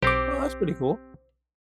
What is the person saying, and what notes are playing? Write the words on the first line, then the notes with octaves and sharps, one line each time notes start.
Oh, that's pretty cool.
B1 C4 G4 C5 D6